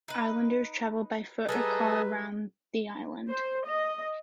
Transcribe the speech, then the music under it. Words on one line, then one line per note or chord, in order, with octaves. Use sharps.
Islanders travel by foot or car around the island.
D#4 B4
G3 A3 G#4 A4 B4 D#5 A#5
C5
D#5